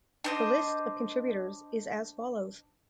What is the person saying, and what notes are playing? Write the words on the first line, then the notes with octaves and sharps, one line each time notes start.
The list of contributors is as follows.
D4 C5 D#5